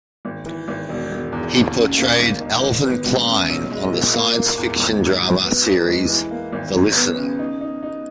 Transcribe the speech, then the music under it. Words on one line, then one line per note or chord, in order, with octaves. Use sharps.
He portrayed Alvin Klein on the science fiction drama series "The Listener".
G#1
E3
G#1
E1
E1
E2
D#2
C#3
A#3
G#1
D#3
G#1
B3
C#2
C#3
B1
G#3
A#2
A#3
A#3
E2
G#1
G#2
F#3
B3
E2
G#3
E3
A#3
G#1
F#3
B3
C#3
D#4
D#4
D#4